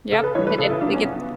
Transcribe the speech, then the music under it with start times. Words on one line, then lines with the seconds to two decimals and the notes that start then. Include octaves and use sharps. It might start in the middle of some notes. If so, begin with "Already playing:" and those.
Yep, it it it gets
0.12 C#3 A4
0.24 B4
0.35 E3 G3 C#5
0.47 B4
0.58 C#3 A4
0.70 E4
0.81 F#3 D4
0.88 B3
0.93 C#4
1.04 C#3 B3